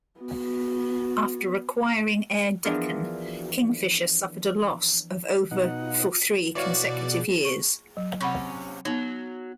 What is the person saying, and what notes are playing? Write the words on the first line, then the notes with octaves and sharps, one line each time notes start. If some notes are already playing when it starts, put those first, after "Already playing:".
After acquiring Air Deccan, Kingfisher suffered a loss of over for three consecutive years.
B3 F#4
E3 F3 B3 D4 G#4 A#4
B2 D#4 F#5
B2 E3 F#4 C#5 D5 F5
C#6
F#3
C3 C#4 F#5 B5 C#6
F#3 B3 D#4